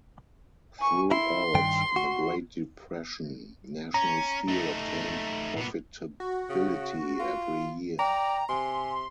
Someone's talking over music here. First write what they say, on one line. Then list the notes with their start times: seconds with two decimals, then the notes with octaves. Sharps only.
Throughout the Great Depression, National Steel obtained profitability every year.
0.79 G#5 C#6
1.11 E4 C6
1.55 G2 D#3 G5
1.96 F#4
3.94 C#4 A#5
4.48 A3 D#4
5.57 A#2 B3
6.20 F#4
6.49 C#3
7.19 F4
7.99 D5 G5 A#5
8.49 C3 G#5 C6